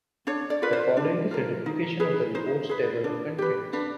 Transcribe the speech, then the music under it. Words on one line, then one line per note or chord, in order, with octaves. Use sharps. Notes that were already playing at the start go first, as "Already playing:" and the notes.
The following is a duplication of the report's table of contents.
D4 C#5
D5
F4 A#4 B4
C5
D4
F4 A#4
D#4
G#4 B4
D#4 C5
G#4 B4
D4
G4 B4
D4 B4